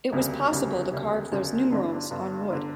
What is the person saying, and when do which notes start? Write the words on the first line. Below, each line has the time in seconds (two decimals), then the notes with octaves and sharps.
It was possible to carve those numerals on wood.
0.12 E1 D2 C#3 G3
0.51 E1 D2 C#3 G3
0.91 E1 D2 C#3 G3
1.31 E1 D2 C#3 G3
1.71 G1 G2 D3
2.11 G1 G2 D3
2.50 G1 D3